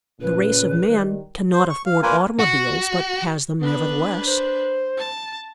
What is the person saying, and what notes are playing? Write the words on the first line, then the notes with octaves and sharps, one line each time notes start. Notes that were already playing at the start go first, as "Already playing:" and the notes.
The race of man cannot afford automobiles, but has them nevertheless.
A#2 C#3 B4
D#3 G3
C5
C#6
F5
A#3 F4 A#4 B4 G#5
F#4
B3 D4 B4
C5
A5